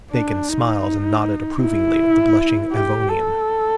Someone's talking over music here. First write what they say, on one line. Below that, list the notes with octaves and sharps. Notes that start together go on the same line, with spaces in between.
Bacon smiled and nodded approvingly at the blushing Avonian.
D4
D#4
E4
G4
A4